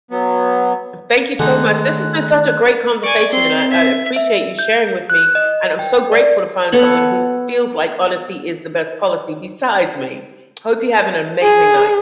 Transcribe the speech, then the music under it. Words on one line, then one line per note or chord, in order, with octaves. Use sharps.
Thank you so much. This has been such a great conversation, and I I appreciate you sharing with me, and I'm so grateful to find someone who feels like honesty is the best policy besides me. Hope you have an amazing night.
F#3 B3
D3 D#3 G#3 A3 D4 D#4 F#6
D5 G#5 C#6
C4 C6
E5
E5
G6
F#6
D#5
G5
D5
B3 A4 C#5 F#5
G#4